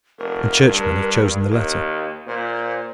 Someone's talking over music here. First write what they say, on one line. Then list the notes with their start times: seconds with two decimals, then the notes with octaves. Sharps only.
And Churchmen have chosen the latter.
0.19 F1 A#4
0.67 G2
1.51 D#2
2.27 A#2 C5